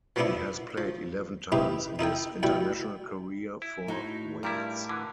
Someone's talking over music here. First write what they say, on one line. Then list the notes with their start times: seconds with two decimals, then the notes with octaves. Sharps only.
He has played eleven times in his international career for Wales.
0.16 E3 F3 A#3 B3 D4 E4
0.78 F3
1.52 C4 D#4 E4 G4 B4 E5
1.99 D#4 E4 A#4 G5
2.43 D2 G2 B2 E4 G5
3.62 E4
3.88 A2 D#4 F#4
4.43 G2 G3 E4 A#4
4.89 D3 E3